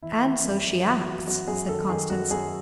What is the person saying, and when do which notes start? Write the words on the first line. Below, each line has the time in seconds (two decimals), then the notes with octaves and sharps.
"And so she acts," said Constance.
0.02 E3 E4
0.24 E3
0.44 F#2
0.65 F#2
0.85 E3
1.06 E3 F#4
1.27 F#2 F#4
1.47 F#2 G#4
1.69 D#3 A4
1.89 D#3 G#4
2.10 F#2 F#4
2.31 F#2 G#4